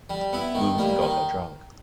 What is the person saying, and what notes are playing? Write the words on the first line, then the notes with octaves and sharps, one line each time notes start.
Rhun got her drunk.
G3
B3 E4
D#3
G3 A#3
D#3